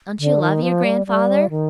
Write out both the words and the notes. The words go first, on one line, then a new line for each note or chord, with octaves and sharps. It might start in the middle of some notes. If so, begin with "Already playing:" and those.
"Don't you love your grandfather?"
D3
D#3
F3
G3
G3
D#3